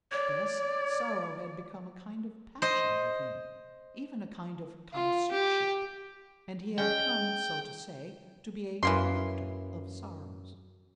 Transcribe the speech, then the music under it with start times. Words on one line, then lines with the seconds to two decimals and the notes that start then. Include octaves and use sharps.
Thus sorrow had become a kind of passion with him, even a kind of connoisseurship; and he had come, so to say, to be a collector of sorrows.
0.12 C#5 D5
2.62 C5 D#5
4.94 F4
5.31 G4
6.78 G#3 C#4 G5
8.83 F#2 E3 A#3 C6